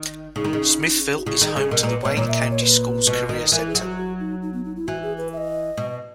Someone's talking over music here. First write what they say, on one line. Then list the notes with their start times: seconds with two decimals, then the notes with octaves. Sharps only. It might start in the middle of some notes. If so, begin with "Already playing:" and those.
Smithville is home to the Wayne County Schools Career Center.
Already playing: D#3
0.36 C#3 D#4
0.44 D#3
0.53 C#3
1.17 F#4
1.26 C#3 E4
1.41 D#3 G#4
1.56 C#3 G#4
1.71 B2 A#4
1.83 A#2 B4
2.02 B2 C#5
2.16 A#2 C#5
2.28 E5
2.39 D#5
2.50 C#5
2.62 B4
3.07 B2
3.29 D#3
3.52 E3 A#4
3.67 G#4
3.75 F#3
3.82 F#4
3.97 F#4
4.20 D#4
4.42 D#4
4.53 B3
4.65 D#4
4.76 E4
4.87 E3 F#4
5.03 G#4
5.17 B4
5.33 E5
5.37 D#5
5.77 B2